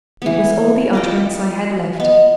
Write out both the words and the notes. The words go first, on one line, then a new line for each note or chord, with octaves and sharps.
It was all the utterance I had left.
E3 B3
F4 D#5 G5
B3 D#5